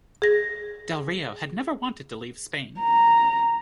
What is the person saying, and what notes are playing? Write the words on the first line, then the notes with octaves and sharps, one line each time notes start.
Delrio had never wanted to leave Spain.
G#4 A#6
A#5